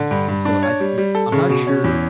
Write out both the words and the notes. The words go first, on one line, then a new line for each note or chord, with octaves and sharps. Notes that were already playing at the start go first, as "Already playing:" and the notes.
So I I t I'm not sure.
Already playing: D3
G2
G2
D4
C#5
G3
G3
A4
C#3
B2
C#4
E2